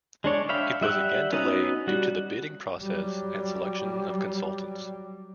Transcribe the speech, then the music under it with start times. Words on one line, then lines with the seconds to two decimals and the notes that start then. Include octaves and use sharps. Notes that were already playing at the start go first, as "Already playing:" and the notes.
It was again delayed due to the bidding process and selection of consultants.
0.24 G#3 D4 C#5 D5
0.49 C#5 E5 F5 G5 B5
0.81 G3 E5 F#5 G5
1.32 B3 C#4 D#4 F#4 D#5
1.87 G3 F#4
2.81 F#3 G3